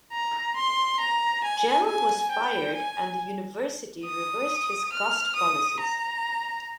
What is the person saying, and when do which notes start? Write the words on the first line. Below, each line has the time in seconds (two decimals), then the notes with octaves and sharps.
Gell was fired, and the university reversed his cost policies.
0.12 A#5
0.56 C6
1.00 A#5
1.44 G#5
1.87 G#5
2.31 G5
2.74 G#5
4.05 D#6
4.93 F6
5.36 D#6
5.80 A#5